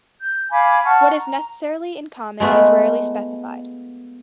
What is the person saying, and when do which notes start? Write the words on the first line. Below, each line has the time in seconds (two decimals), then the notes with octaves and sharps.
What is necessarily in common is rarely specified.
0.21 G6
0.51 F5 G#5 B5 D6
0.84 F#5 A5 C#6 F6
1.18 A#5
2.40 G#3 A3 B3 F4